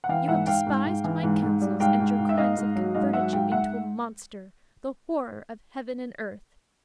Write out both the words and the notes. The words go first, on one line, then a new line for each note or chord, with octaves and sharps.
You have despised my counsels and your crimes have converted you into a monster, the horror of heaven and earth.
F#5
E3 F5 G5
G#2 E5 F#5
G#2 F5 G5
G#2
G#2
E3
G#2
G#2
G3
G#2 F5 G5
G#2
G#2
E5
G#2 D#5 F5
G#2
F#3
G#2 D#5 F5
F#3 E5 F#5
G#2 F5 G5
G#2 E5 F#5